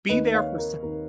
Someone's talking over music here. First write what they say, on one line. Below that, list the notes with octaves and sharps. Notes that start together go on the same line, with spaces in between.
Be there for so
D#2 D#3 A#3 B4 D#5
C#5 F5
A#4
D#2 D#3 A#3 A#4